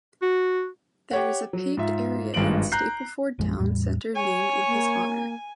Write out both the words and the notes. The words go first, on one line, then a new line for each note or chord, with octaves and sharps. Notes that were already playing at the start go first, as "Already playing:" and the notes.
There is a paved area in Stapleford town centre named in his honour.
F#4
G4 C#5 F#5
F#3
G#2 F4 E5
G#1 G2 G#3 F4 D7 F#7
A#5 F#6 G6 C7
A#1 F#2 F3 G#3
E2 A2 G3
C#5 G#5
A#3